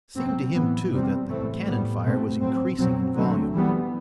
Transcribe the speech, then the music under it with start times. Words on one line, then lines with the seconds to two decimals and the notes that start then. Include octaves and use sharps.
It seemed to him, too, that the cannon fire was increasing in volume.
0.16 B2 F#3 C4
0.54 A2 E3 B3
0.91 C3 G3 C4
1.29 A2 E3 A3 C4
1.67 A2 G3 B3
2.04 B2 A3 C4
2.41 A2 F#3 C4
2.78 B2 F#3 C4
3.16 D3 F#3 A3 C4
3.53 E3 G3 B3